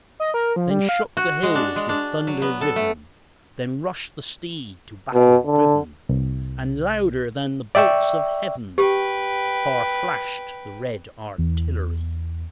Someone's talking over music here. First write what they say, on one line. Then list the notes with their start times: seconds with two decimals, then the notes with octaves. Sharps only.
Then shook the hills with thunder riven; Then rush'd the steed, to battle driven; And louder than the bolts of Heaven Far flash'd the red artillery.
0.20 D#5
0.34 A#4
0.56 F3
0.70 G3
0.89 F5
1.17 F#4
1.43 G#3
1.55 D4
1.76 G#3
1.89 D4
2.27 F#3
2.42 B3
2.61 A4
2.76 A3
5.13 B2
5.45 D3
6.09 C2
7.75 D5 E5 G5 C#6 E6
8.78 G4 B4 G5
11.38 E2